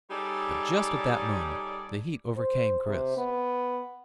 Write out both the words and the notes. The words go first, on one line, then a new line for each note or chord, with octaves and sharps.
But just at that moment the heat overcame Chris.
G3 D#4 G#4 A4 C#5 D5
C5
C3
B3